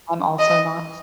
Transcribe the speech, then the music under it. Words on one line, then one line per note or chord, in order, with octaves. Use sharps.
I'm also not,
D#5